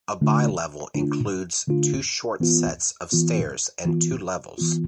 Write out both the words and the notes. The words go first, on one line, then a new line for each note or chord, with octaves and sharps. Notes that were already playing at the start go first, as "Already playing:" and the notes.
A bi-level includes two short sets of stairs and two levels.
D3 A3 D4 F4
D3 A3 D4 F4
D3 A3 D4 F4
E3 B3 F4
E3 B3 F4
E3 B3 F4
E3 B3 F4